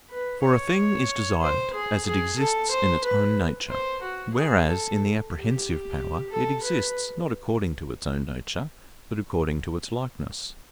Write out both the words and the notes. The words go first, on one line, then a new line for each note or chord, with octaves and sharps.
For a thing is desired as it exists in its own nature, whereas in the apprehensive power it exists not according to its own nature, but according to its likeness.
B4
C#5
C5
G#4
G#4
A4
C5
B4
C5
F#4
G#4
A4
G4
A4
B4